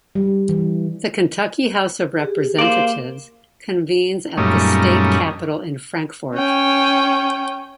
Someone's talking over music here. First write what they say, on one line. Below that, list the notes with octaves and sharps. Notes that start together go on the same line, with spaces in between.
The Kentucky House of Representatives convenes at the State Capitol in Frankfort.
G3
E3
G4 G#4
A#3 C5 D5
F#2 A#2 G3 A3 C#4 D#4
C#4 G5